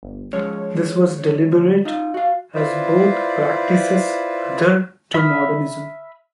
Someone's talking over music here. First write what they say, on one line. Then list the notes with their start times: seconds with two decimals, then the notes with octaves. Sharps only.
This was deliberate as both practices adhere to modernism.
0.03 G1
0.33 F3 G#3 C#4 C#5
1.52 D2
1.85 D#4 F4
2.14 F#4 F5
2.55 E4 F4 B4 C5 D5
5.14 E5 B5 D#6 F6